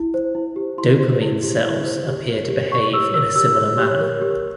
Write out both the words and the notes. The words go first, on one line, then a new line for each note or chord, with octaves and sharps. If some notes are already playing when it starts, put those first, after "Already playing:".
Dopamine cells appear to behave in a similar manner.
Already playing: E4
C5
E4
G4
E4 C6
C5
E4
G4
E4
C5
G4
A#4
G4
C#5 C#6
G4 E6
A#4 E6
G4 E6
C#5
G4
A#4
G4